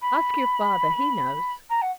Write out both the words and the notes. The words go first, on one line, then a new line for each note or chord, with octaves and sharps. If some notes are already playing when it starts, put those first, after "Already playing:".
"Ask your father, he knows."
B5
A#5
F#5